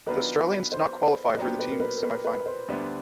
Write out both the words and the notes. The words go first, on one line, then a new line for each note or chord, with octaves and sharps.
The Australians did not qualify for the team semifinal.
D#3 F#3 B3 D4 F4 B4
C5
A#2 F#3 B3 D4 G4 C5
B4
A#4
B4
A#4
B4
B4
C5
D2 D3 G3 B3 D4